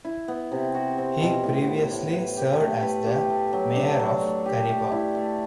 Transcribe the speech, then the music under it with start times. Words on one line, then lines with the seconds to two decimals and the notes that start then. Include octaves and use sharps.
He previously served as the Mayor of Kariba.
0.05 E4
0.28 B3
0.52 C3
0.75 F#4
0.98 C4
1.21 B2
1.44 A2
1.67 B3
1.91 A2
2.13 B4
2.37 G4
2.60 A3
2.83 B4
3.06 G4
3.30 A3
3.53 F#3
3.76 D4
4.00 F#3
4.22 A3
4.46 G4
4.69 A3
4.92 E4
5.15 A3